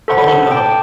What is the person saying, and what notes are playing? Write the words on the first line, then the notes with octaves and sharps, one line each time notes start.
Oh, no.
A4 C5 F#5
G5 A5 D6